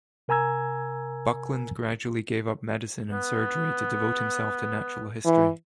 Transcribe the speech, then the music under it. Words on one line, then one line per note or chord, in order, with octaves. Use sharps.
Buckland gradually gave up medicine and surgery to devote himself to natural history.
C3 A#4 G#5 A#5 E6 G#6
B3
E3